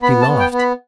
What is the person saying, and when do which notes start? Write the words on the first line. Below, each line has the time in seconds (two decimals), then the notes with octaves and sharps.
She laughed.
0.02 B3 B5
0.22 A5
0.27 B3
0.40 G5
0.52 B3
0.58 B5